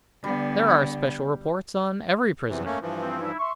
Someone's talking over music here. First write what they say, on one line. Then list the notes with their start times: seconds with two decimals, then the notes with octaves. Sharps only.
"There are special reports on every prisoner."
0.24 D3 G3 B3
2.49 E2 C3 E3
2.66 A3 A#3 C#4
2.81 G2 E3 F3
3.02 C4
3.20 G3 D#4 E4
3.39 E5 C6 C#6